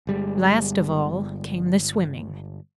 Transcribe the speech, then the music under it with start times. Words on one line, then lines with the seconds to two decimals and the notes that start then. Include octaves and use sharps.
Last of all came the swimming.
0.07 G1 G3 G#3